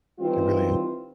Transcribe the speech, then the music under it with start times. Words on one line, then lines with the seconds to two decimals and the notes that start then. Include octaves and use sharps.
It really is.
0.19 D#3 E3 G3 C4 F4